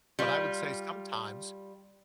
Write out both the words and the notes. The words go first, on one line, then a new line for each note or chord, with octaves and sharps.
but I would say sometimes
G3 F4